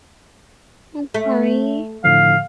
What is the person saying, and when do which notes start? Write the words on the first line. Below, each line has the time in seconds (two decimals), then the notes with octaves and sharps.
I'm sorry.
1.14 A3
2.04 A2 D3 F3 F5